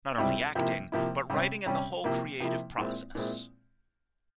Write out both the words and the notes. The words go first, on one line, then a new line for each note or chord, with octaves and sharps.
Not only acting, but writing and the whole creative process.
C#2 C3 G3 C4 E4
C3 F3 A#3 E4
C3 F3 A#3 E4
C3 G3 C#4
C3 G3 C#4
C3 F3 A#3 E4
C3 F3 A#3 E4
A#2 G#3 C4 E4
A#2 G#3 C4 E4